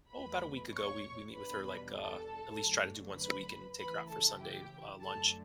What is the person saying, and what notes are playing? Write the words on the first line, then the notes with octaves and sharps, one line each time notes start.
oh, about a week ago, we we meet with her like, uh, at least try to do once a week and take her out for Sunday, uh, lunch.
E2 B2 A3 B4 B5
C#5 C#6
E2 B2 G3 D4 B4 B5
A4 A5
F#2 D3 F#3 A3
B4 B5
C#3 E3 A3 E4 B4 B5
A4 A5
G4 G5
F#2 D3 F#3 A3 A4 A5